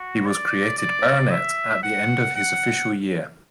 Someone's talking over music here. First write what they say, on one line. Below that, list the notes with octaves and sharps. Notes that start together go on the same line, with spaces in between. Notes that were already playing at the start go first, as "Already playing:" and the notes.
He was created Baronet at the end of his official year.
Already playing: F#4
D5
D5
E5
F#5
F#5